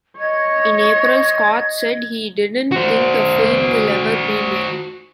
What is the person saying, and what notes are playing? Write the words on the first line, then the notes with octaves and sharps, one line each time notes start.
In April, Scott said he didn't think the film will ever be made.
C#5 D#5 G#6
F#4 C5